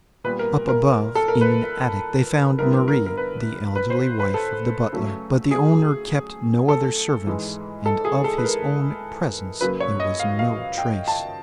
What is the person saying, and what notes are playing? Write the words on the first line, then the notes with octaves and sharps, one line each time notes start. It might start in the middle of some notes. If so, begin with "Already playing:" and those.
Up above, in an attic, they found Marie, the elderly wife of the butler; but the owner kept no other servants, and of his own presence there was no trace.
A#2 G3 B3 B4
A#4
A#4
A4
A#4
B4
D3 G3 B3 E4 A#4
A#4
A#4
B4
B4
C5
B4
A4
C#3 F#3 A3 C#4
G#4
A4
G#2 E3 G#3
A4
G#4
A4
B4
A#4
F#2 C#3 F#3 A#3 B4
C#5
D#5
F5
F5
G5
A5